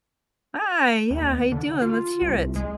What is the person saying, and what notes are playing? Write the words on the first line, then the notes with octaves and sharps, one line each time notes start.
Hi, yeah, how you doing? Let's hear it.
D#2
D3
F4
C2
G#3